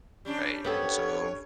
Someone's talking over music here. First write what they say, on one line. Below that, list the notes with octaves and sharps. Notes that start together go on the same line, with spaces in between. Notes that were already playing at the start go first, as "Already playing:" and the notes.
Right, and so,
G3 C#4 D4
B3 G4 A4 C#5